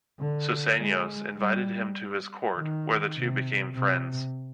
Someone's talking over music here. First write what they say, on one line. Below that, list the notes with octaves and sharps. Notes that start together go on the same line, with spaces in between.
Susenyos invited him to his court, where the two became friends.
D3
G#3
G3
D#3
C3
C3